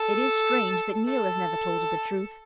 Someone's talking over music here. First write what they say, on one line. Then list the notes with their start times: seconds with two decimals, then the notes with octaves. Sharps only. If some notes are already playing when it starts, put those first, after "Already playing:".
It is strange that Neil has never told her the truth.
Already playing: A4
1.07 A4